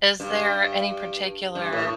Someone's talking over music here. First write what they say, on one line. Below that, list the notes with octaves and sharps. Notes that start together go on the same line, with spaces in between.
Is there any particular
G2
G2
A2